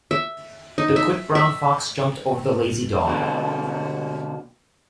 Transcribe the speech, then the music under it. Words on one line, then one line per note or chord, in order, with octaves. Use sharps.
The quick brown fox jumped over the lazy dog.
E5
D#4
E5
E5
B2 D3 A#3 F#4